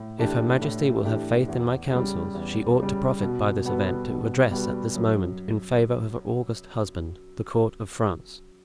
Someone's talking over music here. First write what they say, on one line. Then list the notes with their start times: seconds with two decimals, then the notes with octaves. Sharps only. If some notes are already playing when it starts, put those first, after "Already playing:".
If her majesty will have faith in my counsels she ought to profit by this event to address at this moment, in favor of her august husband, the court of France.
Already playing: A2
0.18 E3 A3 D4 G4
0.61 A2
1.05 E3 A3 D4 G4
1.48 E2
1.91 C#3 G3
2.35 E2
2.78 C#3 G3
3.22 B2
3.65 G3 B3 F#4 A4
4.09 B2
4.51 G3 B3 F#4 A4
4.95 F#2